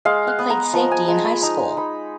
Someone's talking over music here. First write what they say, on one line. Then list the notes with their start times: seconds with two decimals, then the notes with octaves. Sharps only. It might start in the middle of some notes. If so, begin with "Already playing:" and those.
He played safety in high school.
0.05 G#3 F5
0.27 F#5
0.39 B3
0.50 A#5
0.73 F3 A#5
0.91 G#5
1.08 G#3 A#5
1.25 B5
1.43 D#4 A#5
1.77 D#4 B5